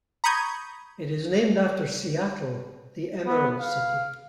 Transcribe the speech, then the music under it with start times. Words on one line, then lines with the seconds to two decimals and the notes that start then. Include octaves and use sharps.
It is named after Seattle, the Emerald City.
0.24 A#5 B5 C#6 D#6 G6 G#6
3.26 B3
3.59 F5